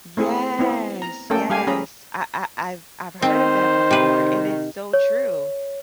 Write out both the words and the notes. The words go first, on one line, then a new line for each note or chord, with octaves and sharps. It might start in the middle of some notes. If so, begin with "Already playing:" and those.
Yes, yes, I I I've I've heard that before, and it's so true,
A3 C4 E4 G#4
B3 C4 E4
A#5
A3 A#3 C#4 A4 G5
G3 G4 F5 G#5
C#4 G#4 A#5 B5
D#3 C4 C5
C3 B4
C#5